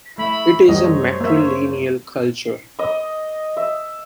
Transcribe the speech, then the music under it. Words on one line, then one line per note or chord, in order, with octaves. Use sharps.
It is a matrilineal culture.
A3 E4 E5 B5
F#2 G3 A3 C5 C#5 D#5
A#3 E5
D#5 D#6
E5